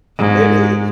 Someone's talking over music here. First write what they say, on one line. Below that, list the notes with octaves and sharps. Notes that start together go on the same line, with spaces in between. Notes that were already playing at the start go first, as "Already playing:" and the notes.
It is.
G#2